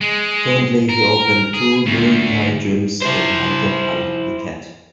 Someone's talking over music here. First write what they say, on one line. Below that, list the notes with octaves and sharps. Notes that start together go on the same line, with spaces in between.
Currently, he opened two Muay Thai gyms in Bangkok and Phuket.
G#3
A#4
G#4
D2
E4 C5